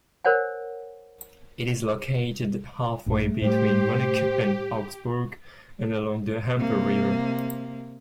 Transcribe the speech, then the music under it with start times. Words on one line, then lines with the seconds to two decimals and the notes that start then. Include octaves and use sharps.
It is located halfway between Munich and Augsburg, and along the Amper river.
0.25 A#4 C5 C#5 F#5 G#5
3.06 A#1 G2 A#2 A3
3.42 A2 G3 G4 C5
6.56 C3 A#3